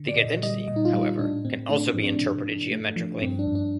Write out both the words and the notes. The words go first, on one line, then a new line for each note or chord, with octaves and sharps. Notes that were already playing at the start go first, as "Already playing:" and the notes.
The identity however can also be interpreted geometrically.
Already playing: D3
D5
A#2 D#5
G3 D#5
A#2 D#5
D#4
F4
G3
D#4
A2 D4
A2 C4
A3 D4
C4
F3
D4
C3
C3
A3
F3
G2 C4
D4
G2
D4